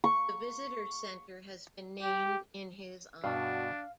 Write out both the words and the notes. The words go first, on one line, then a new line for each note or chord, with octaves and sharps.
The visitor center has been named in his honor.
C#6
G4
G2 B2 D4 F#4 F5